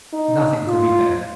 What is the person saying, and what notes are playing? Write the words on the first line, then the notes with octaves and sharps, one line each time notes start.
Nothing could be better.
D#4
F4